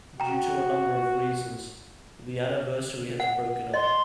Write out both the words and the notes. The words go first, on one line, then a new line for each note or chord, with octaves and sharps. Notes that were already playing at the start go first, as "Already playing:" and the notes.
Due to a number of reasons, The Anniversary has broken up.
F#4 G5 A#5
F#5
D#5 C6